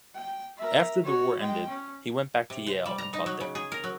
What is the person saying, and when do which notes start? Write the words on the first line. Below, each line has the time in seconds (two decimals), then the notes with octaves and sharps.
After the war ended, he went back to Yale and taught there.
0.14 G5
0.57 A#4 E5
1.04 F#4 C#5
1.37 G#3 G5
1.68 C#4
2.50 C3
2.67 C5
2.86 G3
2.98 A#5
3.13 D#4
3.26 F#3
3.41 C#3
3.55 G#4
3.72 A#4
3.84 F#3